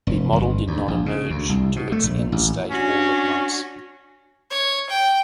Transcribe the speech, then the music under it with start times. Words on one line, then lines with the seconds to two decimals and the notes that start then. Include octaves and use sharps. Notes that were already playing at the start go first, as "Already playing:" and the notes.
The model did not emerge to its end state all at once.
0.07 F1
0.32 G1
0.68 D2
0.88 A#1
1.06 C#3
1.30 D2
1.49 C2
1.76 B2
1.92 A3
2.03 A#1
2.32 A1
2.71 C#4 D4 F#4
4.51 C#5
4.90 G5